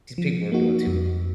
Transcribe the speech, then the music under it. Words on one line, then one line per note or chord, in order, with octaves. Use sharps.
These people are doing too much.
F3
A#3 D#4 F#4
F2